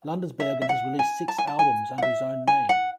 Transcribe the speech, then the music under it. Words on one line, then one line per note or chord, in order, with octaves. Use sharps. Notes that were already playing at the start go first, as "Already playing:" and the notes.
Landesbergen has released six albums under his own name.
E5
E5
F#5
G#5
A5
G#5
A5
G#5
F#5
E5
G#5
F#5